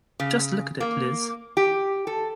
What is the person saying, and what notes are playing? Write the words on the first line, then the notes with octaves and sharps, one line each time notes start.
Just look at it, Liz.
C#3
A#3
G4
A4